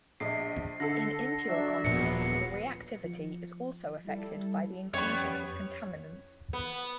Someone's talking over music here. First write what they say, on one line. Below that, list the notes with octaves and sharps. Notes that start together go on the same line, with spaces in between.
In impure compounds, the reactivity is also affected by the inclusion of contaminants.
A#1 D#5 C7
D3 A4 A#6
F#3 D4 E5
D#1 A#2 F3 F#3 B3 C#7
F3
G3 E4 A4
F2 G3 B3 C#4 B4 C#5 C#6 G#6
B3